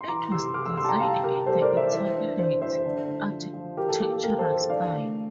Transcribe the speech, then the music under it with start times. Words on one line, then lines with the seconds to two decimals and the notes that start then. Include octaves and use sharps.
It was designed in the Italianate architectural style.
0.01 C6
0.08 E3 A#5 D6
0.32 C3 C6 E6
0.54 C3 D6 F6
0.66 C6 E6
0.77 C3 C6 E6
0.85 A5
0.89 G5 A#5
1.00 G3 F5 A5
1.23 C3 G4 A#4
1.46 G3 A4 C5
1.62 A#4 D5
1.70 E3
1.77 C5 E5
1.92 E3 C5 E5
2.16 D4
2.39 E3 C5 E5
2.61 E3 C5 E5
2.85 D3
3.08 D3
3.31 F3
3.54 F3
3.77 E3 G4 A#4
3.89 A4
4.00 A#3 G4
4.13 A4
4.23 A#3 G4 A#4
4.39 A4 C5
4.46 E3
4.54 A4
4.70 D3 D5 F5
4.93 A3